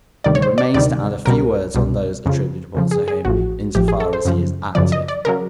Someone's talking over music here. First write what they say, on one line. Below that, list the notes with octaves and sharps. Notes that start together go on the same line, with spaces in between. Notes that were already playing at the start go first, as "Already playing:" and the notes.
It remains to add a few words on those attributable to him in so far as he is active.
D2 C3 D#3 G3 D5
C#5
C5
D5
D2 C3 D#3 G3 D5
C2 B2 G3 A#4
C2 B2 G3
F2 C#3 F3
F2 C#3 F3
G#4
G#4
A1 A2 F3 F#4
A1 A2 F3 G4
G#4
A4
C5
F#2 C#3 F3
F#2 C#3 F3 D5
D#5
D5
C#3 F#3 A#4